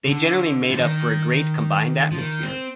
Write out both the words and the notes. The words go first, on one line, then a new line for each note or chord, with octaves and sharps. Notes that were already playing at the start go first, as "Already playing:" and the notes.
They generally made up for a great combined atmosphere.
D3
F3
D#3
F3
D#3
C4